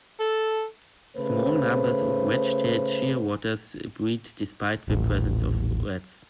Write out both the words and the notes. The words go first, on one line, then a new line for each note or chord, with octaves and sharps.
Small numbers of wedge-tailed shearwaters breed despite the presence of rats.
A4
C#3 A3 B4 C5
D#1 A1